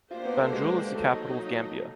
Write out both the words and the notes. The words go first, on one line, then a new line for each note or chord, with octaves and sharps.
Banjul is the capital of Gambia.
A#3 D4 F4 G4 C5
B3
A3
G#3
F#3 A3 A#3 D#4